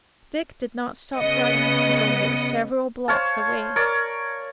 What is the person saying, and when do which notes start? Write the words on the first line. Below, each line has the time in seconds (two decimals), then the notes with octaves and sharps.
Dick did not stop running until he was several blocks away.
1.17 C#3 B3 D#5 C#7
3.08 C5 C#5 F5 A5
3.76 A#4 C#5 D5